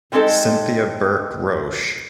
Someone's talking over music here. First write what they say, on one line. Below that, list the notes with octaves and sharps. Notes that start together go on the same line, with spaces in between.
Cynthia Burke Roche.
G3 G#3 C4 D#4 A4